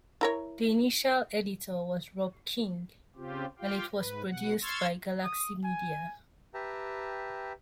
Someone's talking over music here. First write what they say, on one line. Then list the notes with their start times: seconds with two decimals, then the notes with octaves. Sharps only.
The initial editor was Rob King and it was produced by Galaxy Media.
0.21 E4 A#4 C#5
3.16 C#3 C4 F4 G4
3.59 F4 G4 F5 G5
3.96 G#2 B4
4.28 B2 F#5
4.62 C6 C#6 E6 F6 G#6 A6
5.23 D#6
5.64 G#5
6.54 G4 B4 E5 G5 A5 A#5